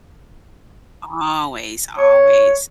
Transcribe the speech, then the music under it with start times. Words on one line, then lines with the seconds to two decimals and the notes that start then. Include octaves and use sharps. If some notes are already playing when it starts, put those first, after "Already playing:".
Always, always.
1.98 C#5